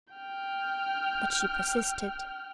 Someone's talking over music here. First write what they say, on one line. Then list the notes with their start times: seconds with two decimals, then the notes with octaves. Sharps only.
But she persisted.
0.14 G5 F6